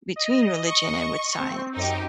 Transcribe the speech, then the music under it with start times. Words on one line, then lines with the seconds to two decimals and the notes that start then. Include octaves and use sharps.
between religion and with science.
0.16 D#5
0.69 C#6
1.39 C4
1.76 F#2 D#4 G4